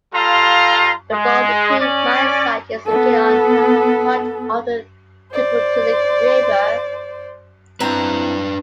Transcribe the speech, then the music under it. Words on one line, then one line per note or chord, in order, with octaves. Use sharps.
The Boulder Creek mine site is located on part of the Tubutulik River.
G3 F4 A4 F5 A#5 C6
G#3
C#4 D5
B3 A4
C5 D5
C4 D4 E4 B4 A#5